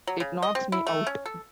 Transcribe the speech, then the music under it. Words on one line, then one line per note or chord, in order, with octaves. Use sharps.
It knocks me out.
F#3
C#3
D#5
C4
E4
A3
C#4
A4